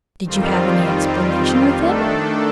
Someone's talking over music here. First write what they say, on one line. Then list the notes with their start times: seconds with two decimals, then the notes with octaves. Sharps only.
'Did you have any explanation with him?
0.24 F2 D#3 G3 C4 F4
1.77 D#3 A3 D4 A4